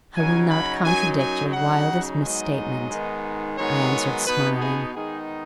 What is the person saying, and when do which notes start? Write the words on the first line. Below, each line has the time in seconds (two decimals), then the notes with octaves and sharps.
'I will not contradict your wildest misstatement,' I answered, smiling.
0.16 C#3 F#3 D#4 G#5
0.50 B5
0.84 F#2 F#3 D#4 G#5
1.19 G#5
1.53 C#3 F#3 D#4 F#5
2.21 G#2 F#3 B3 D#4 D#5
2.90 G#2 D#3 B3
3.57 G#2 D#3 F#3 B3 C#5
4.25 B2 B3 D#4 B4
4.60 G#4
4.94 D#3 G#3 B3 D#4 G#4